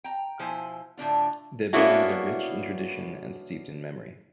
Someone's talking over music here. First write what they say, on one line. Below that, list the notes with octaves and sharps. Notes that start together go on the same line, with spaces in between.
Their buildings are rich in tradition and steeped in memory.
G5 A#5
B2 F3 E4 C5 G#5
A2 D3 D4 F4
A#3 B3 C#4 D4 E4 F#4